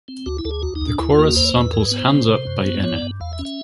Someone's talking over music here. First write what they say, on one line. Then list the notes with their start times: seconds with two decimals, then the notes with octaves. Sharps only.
The chorus samples "Hands Up" by Inna.
0.08 C4
0.26 D2 F#4
0.38 E4
0.45 D2 A4
0.51 G#4
0.63 D#2 F#4
0.75 D#4
0.81 D#2
0.88 D4
1.00 D#2 E4
1.12 F4
1.18 A#3
1.24 F#4
1.36 E2 C5
1.44 C#5
1.49 C5
1.55 E2
1.61 B4
1.73 G#2 A#4
1.85 B4
1.91 B3
1.98 C5
2.10 C3
2.28 C3
2.47 F#2
2.65 B3
2.84 G2 C#5
2.96 D5
3.02 G2
3.21 E2 F5
3.33 E5
3.39 C#4
3.45 E5